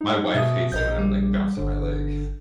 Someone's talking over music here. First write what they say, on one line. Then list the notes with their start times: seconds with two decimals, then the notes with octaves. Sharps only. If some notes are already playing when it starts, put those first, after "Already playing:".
my wife hates it when I'm, like, bouncing my leg.
0.01 D#4
0.34 B2 E5 D#6
0.72 A#1 A#4 D#5 G6
0.99 G3
1.57 G1 D3